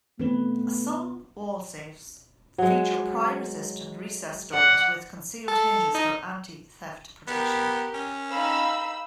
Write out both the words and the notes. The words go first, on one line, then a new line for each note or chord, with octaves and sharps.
Some wall safes feature pry resistant recessed doors with concealed hinges for anti-theft protection.
E3 A3 B3 C4 B4
F#3 G#3
D5 F#5
A4
D#4
B3 G4 A#4
C#4
C4 D#4 F5 B5 E6